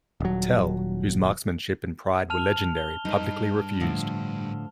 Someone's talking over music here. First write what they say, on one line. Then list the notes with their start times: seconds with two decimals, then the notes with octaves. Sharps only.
Tell, whose marksmanship and pride were legendary, publicly refused.
0.20 D#1 F#3
2.30 A5 F6 F7
2.77 G7
3.05 G2 D#4
3.80 A2 D3 F3